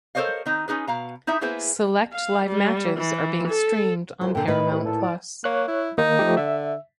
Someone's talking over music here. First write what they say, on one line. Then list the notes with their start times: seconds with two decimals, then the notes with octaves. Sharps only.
Select live matches are being streamed on Paramount Plus.
0.15 A4 A#4 C5 C#5 D#5 F5
0.46 D#3 C4 D#4
0.68 C#4 D#4 G#4 B4
0.87 B2 F5 A#5
1.27 D#4 E4 G#4 E5
1.41 A#3 B3 E4 G#4 B4 C5
2.13 F5
2.45 G3
2.97 E3
3.47 A4
4.21 C2 F2 C5
4.35 A#2 D3 A4 A#4 G5
4.47 A2 D#4 E4 B4 B5
4.72 C2 D#3 B5
4.85 A#2 A4
5.02 D5
5.44 A#3 C#5 F#6
5.68 E4
5.98 D#3 A#3 D#4
6.19 F3 A3 G4
6.37 D3 E5